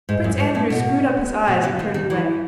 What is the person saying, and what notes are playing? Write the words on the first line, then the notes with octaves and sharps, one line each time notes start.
Prince Andrew screwed up his eyes and turned away.
G#2
F#2
G#2
A2
B2
B2
C#3
D#3
D#3
E3